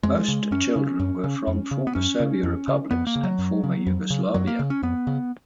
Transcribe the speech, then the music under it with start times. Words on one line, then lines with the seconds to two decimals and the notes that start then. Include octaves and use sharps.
Most children were from former Soviet republics and former Yugoslavia.
0.03 F2 G#3
0.28 C#3
0.51 F#2 C#4
0.76 C#3
1.00 F#2
1.24 C#3
1.47 F2
1.71 C#3
1.87 B3
1.95 F#2 C#4
2.20 C#3
2.43 F2
2.68 C#3
2.91 F2 B3
3.07 A#3
3.16 C#3
3.23 F#3
3.39 F#2
3.64 C#3
3.86 F2
4.10 C#3
4.34 F#2 F#3
4.47 A#3
4.59 C#3
4.70 C#4
4.83 F2 B3
5.07 C#3